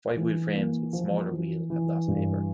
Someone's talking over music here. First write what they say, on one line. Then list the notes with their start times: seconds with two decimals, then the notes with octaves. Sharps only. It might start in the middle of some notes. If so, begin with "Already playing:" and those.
Five-wheel frames with smaller wheel have lost favor.
0.16 E3
0.54 A#3
0.93 F3
1.31 E3
1.70 E3
2.08 G2